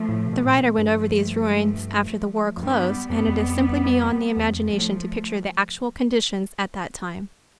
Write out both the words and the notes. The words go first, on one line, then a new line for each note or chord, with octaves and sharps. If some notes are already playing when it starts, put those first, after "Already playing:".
The writer went over these ruins after the war closed and it is simply beyond the imagination to picture the actual conditions at that time.
Already playing: F3 A3
A2
C3
B2
A2
B2
G2 F3 A3
F2
G2 G3 B3
F2 G3 B3
G2
F2
E2
F2 F3 A3
A2